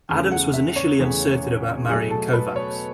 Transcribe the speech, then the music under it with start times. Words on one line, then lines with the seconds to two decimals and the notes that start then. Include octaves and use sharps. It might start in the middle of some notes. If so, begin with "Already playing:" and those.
Adams was initially uncertain about marrying Kovacs.
0.09 E2 C#3 E3 A3
0.32 F#5
0.54 E5
0.76 C#5
0.99 E2 C#3 E3 A3 G#4
1.89 B2 F#3 A3 G#4
2.11 A4
2.33 B4
2.56 C#5